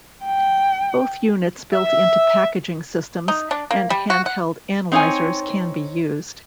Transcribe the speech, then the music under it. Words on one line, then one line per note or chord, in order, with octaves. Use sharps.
Both units built into packaging systems and handheld analysers can be used.
G5
E5
D#4
D4
A#3
G3
F#4
F#5
C4 D#4 C#5 F5 G#5